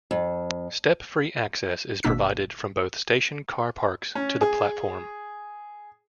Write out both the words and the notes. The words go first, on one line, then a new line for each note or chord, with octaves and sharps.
Step-free access is provided from both station car parks to the platform.
F2
G#1 B2 A#3 D4 E6 B6
C#4
G#4